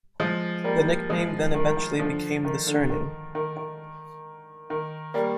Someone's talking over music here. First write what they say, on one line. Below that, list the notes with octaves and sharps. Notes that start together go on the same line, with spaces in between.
The nickname then eventually became the surname.
F3 G#3
G3 A#3
F3 G#3
D#3
D#3
D#3
D3 F3
D#3
D3
D#3
D#3
D#3
D#3
G3 A#3